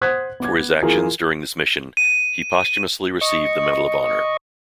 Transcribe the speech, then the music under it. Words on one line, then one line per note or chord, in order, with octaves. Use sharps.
For his actions during this mission, he posthumously received the Medal of Honor.
C5 F#5 D#6 F#6 G#6 B6
B3 D6 G#6
E3 F4 G#4 A#4
D#7
D#5 C#6